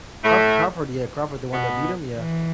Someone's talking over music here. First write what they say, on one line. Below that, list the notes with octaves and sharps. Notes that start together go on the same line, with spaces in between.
Crawford Crawford, yeah, Crawford, the one that beat him? Yeah.
A2 A3
B2 B3
E3